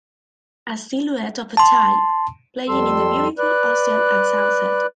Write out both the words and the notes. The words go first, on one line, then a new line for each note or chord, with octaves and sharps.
A silhouette of a child playing in the beautiful ocean at sunset.
A5 C6
F2 G3 A4 C6 E6
B4 D5 F#6